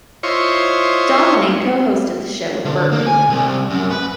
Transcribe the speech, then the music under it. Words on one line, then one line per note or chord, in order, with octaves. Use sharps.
Don Lane co-hosted the show with Bert Newton.
E4 F4 C5 C#5 D#5 C#6
D3
A#3
G#5
C2
F#2
B4